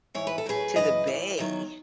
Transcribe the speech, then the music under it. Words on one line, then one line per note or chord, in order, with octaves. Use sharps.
to the bay.
G#2 E3 C#5
B4
A4
A2 F#3 G#4 B4
F#2 C#3 E3 B4 D#5
A2 E3
E2 D#3 F#3